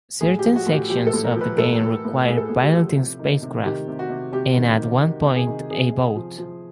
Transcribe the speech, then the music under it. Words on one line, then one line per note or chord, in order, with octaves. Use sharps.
Certain sections of the game require piloting spacecraft and at one point a boat.
A2 G#4
G4
F3
F#4
A2
G4
F3 G4
A4
A2
A#4
F3 B4
A2 A4
A2
A2
A2 G#4
A4
A2 G#4
G4
F3
C3
D#3
C3
D#3 G4
C3
F#4
C3
C3 G4
D#3
D#3
D#3
C3
G#4
D#3
C3 G#4
C3
F3
F3